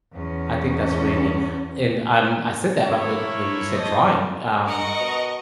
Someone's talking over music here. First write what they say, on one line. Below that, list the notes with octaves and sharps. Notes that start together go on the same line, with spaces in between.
I think that's really neat, and, um, I said that about when you said drawing, um,
E2 C#4
A3 A#3 E4 C#5
C5 C#5 D#5 A5 C#6 D#6
A#4 D#5 F#5 C#6
B2